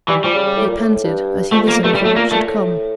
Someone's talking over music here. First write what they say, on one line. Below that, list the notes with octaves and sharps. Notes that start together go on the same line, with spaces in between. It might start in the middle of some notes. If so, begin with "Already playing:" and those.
He panted as he listened for what should come.
E3 G3
F3 G3
C#3
C#3
A2
A#2
A2
A2
G2
F2 A3
A#3
G2 A3
G3
A2 A3
A#2 A#3
A#2 A3
A2